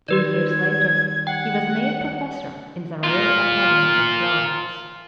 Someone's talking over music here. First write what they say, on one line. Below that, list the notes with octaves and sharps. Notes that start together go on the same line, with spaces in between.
Two years later, he was made professor in the Royal Academy of Florence.
D#3 G3 G4 B4 D5 G#6
F#5 G5
F4 A#4